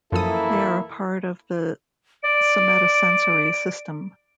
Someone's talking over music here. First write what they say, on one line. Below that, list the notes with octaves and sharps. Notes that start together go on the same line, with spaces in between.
They are a part of the somatosensory system.
F#2 E3 F3 A#3 E4 A4 D#6
D5 D7